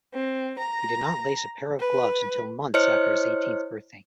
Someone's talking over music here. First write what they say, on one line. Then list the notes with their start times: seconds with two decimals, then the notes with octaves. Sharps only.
He did not lace a pair of gloves until months after his eighteenth birthday.
0.13 C4
0.59 A#5
1.79 B4
2.74 E4 C5 C#5 D#5 F6 C#7